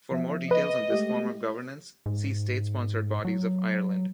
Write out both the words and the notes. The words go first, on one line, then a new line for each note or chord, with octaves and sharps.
For more details on this form of governance, see state-sponsored bodies of Ireland.
F3 B3 E5
B4 D#5
G#3 A3 G4
G#2
F#3